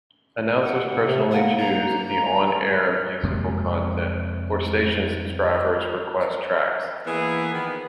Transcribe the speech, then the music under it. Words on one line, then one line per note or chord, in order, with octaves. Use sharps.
Announcers personally choose the on-air musical content, or station subscribers request tracks.
F#5
C3
A#3 F#5
A#5
F2 C3 G#3 A#3
E3 A#3 B3 G#4
D#3 F3 B3